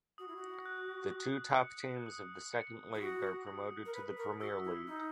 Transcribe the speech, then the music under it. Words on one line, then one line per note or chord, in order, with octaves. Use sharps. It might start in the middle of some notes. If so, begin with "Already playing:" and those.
The two top teams of the Second League are promoted to the Premier League.
F#4 D#6
E4
F#4
F#6
D#6
C#7
D#6
C#7
E4
F#4 D#6
D#6
A#4
B4 B6
A#4
F#4 E6
E4
D#4 E6